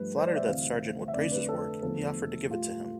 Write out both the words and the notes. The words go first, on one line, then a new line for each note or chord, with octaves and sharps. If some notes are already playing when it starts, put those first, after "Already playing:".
Flattered that Sargent would praise his work, he offered to give it to him.
Already playing: G2 F3 A3 B4
C5
D5
E5
D2 C3 E3 A3 F5
E5
F2 D3 A3 D5
B4
A4
E2 D3 F3 A3 A4
A2 G3 F4